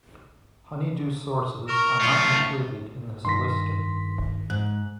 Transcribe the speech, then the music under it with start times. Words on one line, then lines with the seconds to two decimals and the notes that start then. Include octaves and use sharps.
Honeydew sources are not included in this listing.
1.68 A#4 C#6 F6 E7
2.00 F#2 A3 F4 C#7 G7
3.25 G2 D#3 C6 A#6 B6
4.50 G#2 F#6